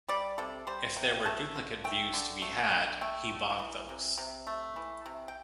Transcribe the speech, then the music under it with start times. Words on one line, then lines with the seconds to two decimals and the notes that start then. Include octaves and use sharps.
If there were duplicate views to be had, he bought those.
0.08 G3 D5
0.38 C3 A4
0.67 G3 C5
0.96 C3 G5
1.26 A3 A5
1.56 D3
1.84 A3 G5
2.14 D3
2.42 A3
2.71 D3
3.01 A3 G5
3.30 D3
3.59 E3
3.89 C3
4.18 C3
4.47 A3
4.76 E3
5.06 C3
5.28 G5